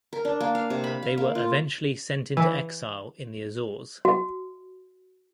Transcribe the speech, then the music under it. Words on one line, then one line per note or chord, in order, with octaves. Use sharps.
They were eventually sent into exile in the Azores.
A#4
D4
A#3
F5
C3
B5
F5
A#3
F4
E3
F#4